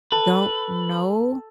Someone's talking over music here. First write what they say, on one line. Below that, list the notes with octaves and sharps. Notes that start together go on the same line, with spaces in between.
don't know?
A4 B4